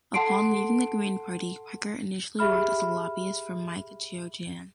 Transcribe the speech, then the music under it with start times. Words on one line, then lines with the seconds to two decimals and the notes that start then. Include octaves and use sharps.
Upon leaving the Green Party, Parker initially worked as a lobbyist for Mike Geoghegan.
0.14 A4 F#5 A5 C6 C7 D7
2.39 G4 G#4 E5 B5 F6